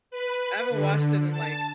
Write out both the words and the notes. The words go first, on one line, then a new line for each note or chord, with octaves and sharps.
I haven't watched it in, like,
B4
D3
A5